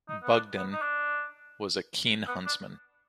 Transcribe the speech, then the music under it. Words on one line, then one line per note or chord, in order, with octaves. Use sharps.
Budgen was a keen huntsman.
D#4
B3
D4
B3
D#4
D4
B3
D4